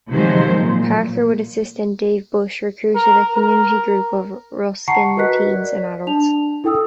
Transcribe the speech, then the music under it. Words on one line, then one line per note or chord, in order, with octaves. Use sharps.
Parker with assistant Dave Bush recruited a community group of Ruskin teens and adults.
C3 D#3 F3 F#3 G#3 C5
A#2
A#4
A#4
F#5 A5 A#5 C#6 C7 C#7
F#4 A#4 B4 D#5 F#6 B6
D5
D4 A5 F7
E4 A4 G5 D#6 E6